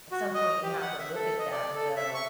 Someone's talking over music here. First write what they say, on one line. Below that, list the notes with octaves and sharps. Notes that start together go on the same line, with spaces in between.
At some point you have to look at that and go
F#4
D#5
G4
F#5
E5
A4
D#5
D5
A4
E5
C#6